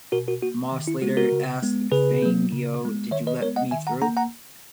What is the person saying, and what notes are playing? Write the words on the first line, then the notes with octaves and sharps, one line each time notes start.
Moss later asked Fangio did you let me through?
B2 F#4 A#4
F#4 A#4
A#3 F#4
D#3
E4
G#3 B3 F#4
F#4 A#4
C#3
G#3 B3
C#3 G#4 B4
F#3 A#3
C#3
G#3 B3
D#3 C#5 E5
B4 D#5
G#3 B3 A#4 C#5
D#5 F#5
D#3 E5 G#5
F#5 A#5
A#3 F#5 A#5
F#5 A#5